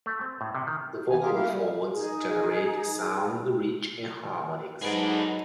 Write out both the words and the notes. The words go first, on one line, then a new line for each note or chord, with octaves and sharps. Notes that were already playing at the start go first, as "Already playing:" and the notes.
The vocal folds generate a sound rich in harmonics.
A3
C4
A2
C3
D#3
E3 B3 G#5
F4 G4 G#4 A#4
A3 A#3 E4 G4 A#4 F5
G3
D#4 G#4
G#2 F#3 D#4 G#4 A4 B4 D5 F#5